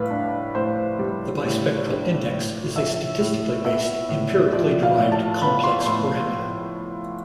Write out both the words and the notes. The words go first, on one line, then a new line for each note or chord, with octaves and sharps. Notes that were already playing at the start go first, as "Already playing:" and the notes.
The bispectral index is a statistically based, empirically derived complex parameter.
Already playing: A2 G3 B4 F5
D4
A2 C5
G3
A2
D4
A2
F3 E5
A2
B3 E5
A2
F3 D5
F5
A2
A5
B3 B5
C6
A2 C6